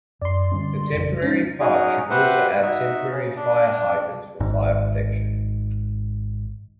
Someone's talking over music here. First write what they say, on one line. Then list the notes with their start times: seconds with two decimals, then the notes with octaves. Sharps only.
The temporary pipe should also add temporary fire hydrants for fire protection.
0.21 F#2 D5 C6
0.52 D3 G3 C#4
0.92 A1 F2 C#3
1.22 G#3 C4 C#4 D#4
1.60 F#3 C#4 D#4 F#4 G#4
2.10 F#4 G4 B4 C5 E5 F#5
2.62 D#4 F#4 E5
3.10 C#3
3.36 D4
4.40 G#1 G#2